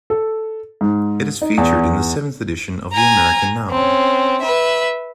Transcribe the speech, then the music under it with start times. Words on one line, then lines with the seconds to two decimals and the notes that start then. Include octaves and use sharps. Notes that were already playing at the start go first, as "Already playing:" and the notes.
It is featured in the seventh edition of the American Now!
0.10 A4
0.81 G#2
1.42 D#4
1.58 E2
2.92 G#5 A#5
3.70 C4 C#4
4.41 B4 E5